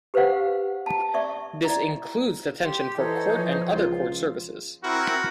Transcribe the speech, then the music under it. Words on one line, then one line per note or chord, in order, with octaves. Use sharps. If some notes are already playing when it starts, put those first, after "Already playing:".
This includes detention for court and other court services.
G4 B4 C5 F5 F#5
A5
D5 E5 C#6
E4 D5
G4 C6
E3 D#4 A4 C5 C#5
F3
C#2 F4
C4 E4 F#4 A#4